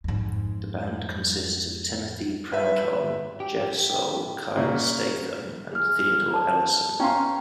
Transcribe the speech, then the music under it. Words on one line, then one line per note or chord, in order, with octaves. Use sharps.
The band consists of Timothy Prudhomme, Geoff Soule, Kyle Statham, and Theodore Ellison.
F2 G#2
B4 E5
G4
A#2 C#3
G#4 F6
A5
B3 C#4 F5 G5 A#5 C6